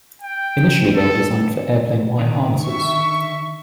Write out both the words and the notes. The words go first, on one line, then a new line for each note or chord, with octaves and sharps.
Initially they were designed for airplane wire harnesses.
G5
A4
D3 D#3
E5 C#6